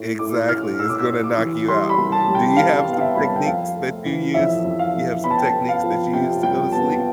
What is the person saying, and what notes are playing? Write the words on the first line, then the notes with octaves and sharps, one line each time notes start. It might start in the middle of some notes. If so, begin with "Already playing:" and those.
exactly, it's gonna knock you out. Do you have some techniques that you use you have some techniques that you use to go to sleep?
Already playing: A2
A2 D6
A2 F6
A2 E6
D6
E6
A2
D6
E3
G3 C6
B5
C2
A5
G3
G5
C3 F5
B3
F5
E5
C2 B5
A5
G5
F2 F5
A3
E3
F2 E5
F2
F5
F2
B3 B5
A5
G5
A5
B3
F5
F3
C3 G5
C2 G5
B3 A5